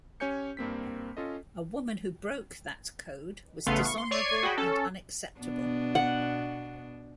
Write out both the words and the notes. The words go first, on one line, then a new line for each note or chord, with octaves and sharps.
A woman who broke that code was dishonorable and unacceptable.
C#4 G4 C#5 G#5 G6 C#7
G2 A#3 C4 B6
C#4 F4 A4 D#5
A1 C#3 A3 B3 F5 C6
C#6
C6
C#5 D5 C#6 G#6 C7 D#7
F#4 G#4 G5 B5
C#4 A4
B2 B3 D4
F#5